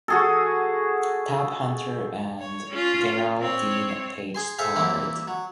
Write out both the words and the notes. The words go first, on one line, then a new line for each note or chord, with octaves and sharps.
Tab Hunter and Geraldine Page starred.
F#4 G#4 A4
C#5
C#4 F4
C4 C#5
G#4 G#5 C6
G#4 A4 C5 E5 F5 G#5
E3 G3 A#3 C4 E4
F#3